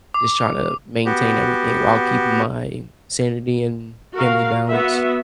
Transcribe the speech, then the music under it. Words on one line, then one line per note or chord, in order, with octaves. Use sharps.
just trying to maintain everything while keeping my sanity and family balance
D6
B3 F#4 G4
F#4 A#4 F5
B3 F#4 E5